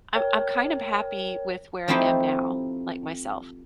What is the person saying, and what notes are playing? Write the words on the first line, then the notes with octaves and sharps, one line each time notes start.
I'm I'm kind of happy with where I am now, like myself."
A#4 C#5 G5
F3 A3 C4 D#4 E4 G4